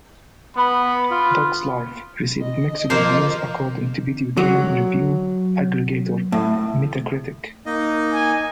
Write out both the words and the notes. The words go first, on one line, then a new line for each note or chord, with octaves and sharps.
"Dog's Life" received "mixed" reviews according to video game review aggregator Metacritic.
B3 B5
F4
D#5
F3 A#3 C5
F#3
A2
A#3 D#4 D#5
G#5